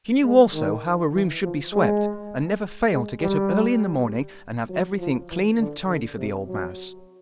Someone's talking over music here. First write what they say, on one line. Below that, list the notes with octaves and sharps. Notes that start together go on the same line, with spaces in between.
She knew also how a room should be swept, and never failed to get up early in the morning and have everything clean and tidy for the old mouse.
G#3
D#3
E3
F3
G#3
G#3
G3
F#3
F3
E3
D3
D3
C3
F#3